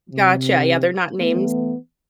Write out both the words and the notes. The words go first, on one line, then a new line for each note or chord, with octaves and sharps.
Gotcha. Yeah, they're not names,
C3
E3 A3 B3